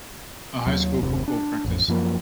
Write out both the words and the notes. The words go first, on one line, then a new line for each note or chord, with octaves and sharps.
A high school football practice.
D#2 F#3
F#1 D#2 C3
D4
A1 F2
F#2 F3 A#3